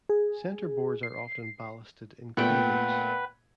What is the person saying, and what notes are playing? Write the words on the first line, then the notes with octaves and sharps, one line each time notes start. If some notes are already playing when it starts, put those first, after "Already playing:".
Centreboards are often ballasted in keelboats.
G#4
C7
A#2 A3 B3 B4 F#5 G5